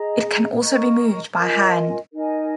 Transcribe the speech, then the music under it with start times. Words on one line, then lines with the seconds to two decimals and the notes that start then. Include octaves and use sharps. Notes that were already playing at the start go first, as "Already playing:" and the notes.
It can also be moved by hand.
Already playing: G#4 D#5 A#5
0.61 A#4 D#5 A#5 C#6
1.37 F4 A#4 D#5 G#5
2.13 D#4 A#4 D#5 G#5